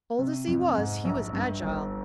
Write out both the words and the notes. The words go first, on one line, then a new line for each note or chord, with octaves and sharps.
Old as he was, he was agile.
C3
F2
G#2
A#1
G2
G1